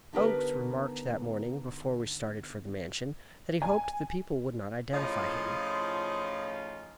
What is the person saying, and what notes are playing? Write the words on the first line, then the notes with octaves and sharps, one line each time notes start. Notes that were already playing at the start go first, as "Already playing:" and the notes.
Oakes remarked that morning, before we started for the Mansion, that he hoped the people would not identify him.
D3 B3 D#4 G4 A#4 B4
G#5
A2 F3 C#4 D#4 F4 G#4